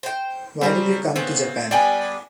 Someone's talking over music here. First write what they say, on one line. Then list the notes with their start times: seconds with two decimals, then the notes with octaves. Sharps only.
Why did you come to Japan?
0.03 C5 G5
0.61 C#3 G3 C4 G#4 A#5
1.16 C#3 B3 C4
1.71 G3 B3 D4 D5 G5 G#5